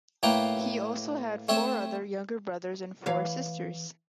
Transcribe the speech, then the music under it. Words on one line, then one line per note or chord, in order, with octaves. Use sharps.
He also had four other younger brothers and four sisters.
A2 A3 A#3 B4 G5 A#5
A3 C4 C#5 E5
E3 C#5 F5